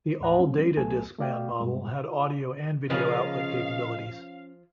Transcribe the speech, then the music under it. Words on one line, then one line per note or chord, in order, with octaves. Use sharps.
The All Data Discman model had audio and video output capabilities.
D#2 A2 F#5 A#5
F#3 G#3 C4 C#4
C2 F#3 A3 B3 A4 G#5
A3 F#4 D5 F5 G5
G2 B2 G3 G#3
F4
C#3 F3 C#4 F4 A#4 B4 D#5 F5